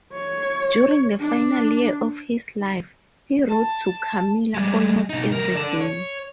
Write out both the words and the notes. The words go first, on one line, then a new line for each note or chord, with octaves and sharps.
During the final year of his life, he wrote to Kamila almost every day.
C#5
D4
A5
G3 G#3
B2 D#4
D3 A#4
A4 D5
C#5